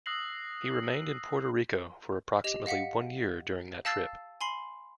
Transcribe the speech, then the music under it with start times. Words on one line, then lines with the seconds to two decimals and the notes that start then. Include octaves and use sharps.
He remained in Puerto Rico for approximately one year during that trip.
0.06 D#6 E6 F#6 A#6 C7 F#7
2.44 G4 D#5 F7
2.66 D#5 F5 F#5 B6 C#7
3.85 F5 A5 E6 A6 C7
4.41 G#5 B5 C6 C7 F#7